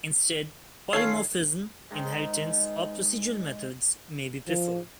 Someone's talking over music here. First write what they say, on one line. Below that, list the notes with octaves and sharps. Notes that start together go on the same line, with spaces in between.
Instead polymorphism, inheritance, or procedural methods may be preferred.
D#3 C#4 F4 A4 C#5 G#6 C7
G#2 D#3 G#3
F3